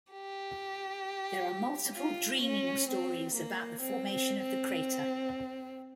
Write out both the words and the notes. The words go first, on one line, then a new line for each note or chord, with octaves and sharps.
There are multiple Dreaming stories about the formation of the crater.
G4
F4
C#4
C4
A#3
C4
C4
C4